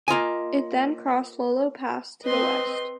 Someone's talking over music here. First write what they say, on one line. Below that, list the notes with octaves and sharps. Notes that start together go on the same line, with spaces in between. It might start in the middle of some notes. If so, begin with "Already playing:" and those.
It then crossed Lolo Pass to the west.
A#3 F4 D#5 G#5
C4 B4 D#5 C6